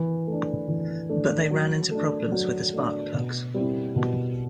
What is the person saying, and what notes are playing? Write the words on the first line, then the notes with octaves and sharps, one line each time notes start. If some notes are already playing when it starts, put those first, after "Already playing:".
But they ran into problems with the spark plugs.
Already playing: E3
A3 D4
E3
A3 D4
F#3
A3 D4
F#3
A3 D4
B2
G3 C4 E4
B2